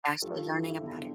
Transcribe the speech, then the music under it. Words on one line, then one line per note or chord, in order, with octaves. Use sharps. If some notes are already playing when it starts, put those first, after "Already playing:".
Actually learning about it.
G2 F3 F4 A4
E4 G4
E2 D3 G3